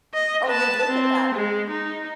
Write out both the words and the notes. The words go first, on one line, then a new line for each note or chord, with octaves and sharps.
or you'd look at that,
D#5
B4 A5
C4
G#3
D#4